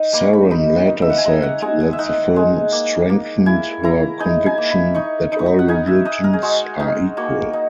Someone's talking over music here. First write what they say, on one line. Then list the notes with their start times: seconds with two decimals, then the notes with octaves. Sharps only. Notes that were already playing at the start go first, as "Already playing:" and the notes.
Saran later said that the film strengthened her conviction that all religions are equal.
Already playing: D#4
0.13 A#3 B5
0.23 C#6
0.33 B5
0.51 D#4 B5
0.87 D#4
1.02 E5
1.10 F#5
1.18 G#5
1.24 G#3 A#5
1.43 F#5
1.62 G#3 G#5
1.81 G#5
1.93 E5
1.99 D#4 F#5
2.36 G#3
2.72 A#3
3.09 A#3
3.46 E4 G#5
3.83 E4 A#5
4.20 D#4 G#5
4.46 G#5
4.58 A#3
4.70 B5
4.95 D#4 C#6
5.32 D#4 B5
5.39 C#6
5.46 B5
5.59 F#5
5.68 D#4 G#5
5.87 E5
6.05 D#4 D#5
6.24 A#4
6.33 G#4
6.42 G#3 F#4
6.80 D#4
7.17 A#3 F#4
7.53 D#4